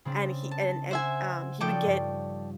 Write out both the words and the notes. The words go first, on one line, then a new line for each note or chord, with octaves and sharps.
and he and and, um, he would get
C#3 C4 D4
A5
C5 E5 F#5 G#5
F3 C#4 D#4 A4 D5 G5
G2